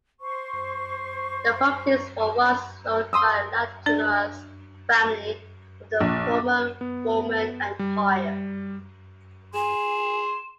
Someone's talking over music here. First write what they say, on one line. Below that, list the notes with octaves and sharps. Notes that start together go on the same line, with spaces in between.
The properties were once owned by the Lateranus family of the former Roman Empire.
C5 C#6
C6 D#6 E6
D4 D5
A#1
B3
G3
G#4 G#5 C6 E7